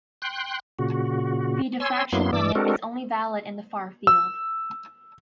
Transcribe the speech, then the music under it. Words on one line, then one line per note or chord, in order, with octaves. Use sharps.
The diffraction limit is only valid in the far field.
G5 C6 F#6
A#2 C#3 F#4
C#5 G#5 C6 E6
F#2 F#3 A#3 B3 E4 C6
G2 E3 D5 D6 E6
G#3 C4 D4 F#4 A4 A#4
E6